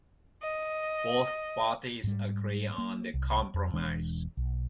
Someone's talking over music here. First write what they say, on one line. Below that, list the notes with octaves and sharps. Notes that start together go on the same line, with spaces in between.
Both parties agree on the compromise.
D#5
G#2 G3
A#3
C2
F2
E1 E3 G#3 D4
B1